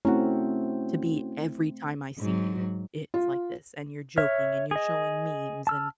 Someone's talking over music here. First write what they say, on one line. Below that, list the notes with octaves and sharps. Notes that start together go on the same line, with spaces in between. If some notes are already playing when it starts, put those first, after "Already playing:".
to be every time I see you. It's like this, and you're joking, and you're showing memes, and
A3 C4 C#4 E4 F#4
G#2 F#3
F4
C#5 E5 F6
G#4 D#5
A5 E6 F6